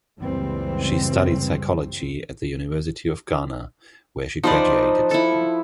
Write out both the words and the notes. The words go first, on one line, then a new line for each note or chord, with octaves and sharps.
She studied Psychology at the University of Ghana where she graduated.
F#1 C#2 C#3 E3 G3 C4
F3 D#4 B4 C5 D5
E4 A4